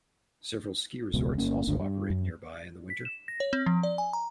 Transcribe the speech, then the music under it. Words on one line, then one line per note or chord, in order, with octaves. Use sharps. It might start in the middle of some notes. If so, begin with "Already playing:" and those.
Several ski resorts also operate nearby in the winter.
E1 C#2 B2
G1 A#3 C#4
G#1 D2 D4
G2
F#2
B6
E7
A#6
C#5
C4
F3
D5
G#5
A#5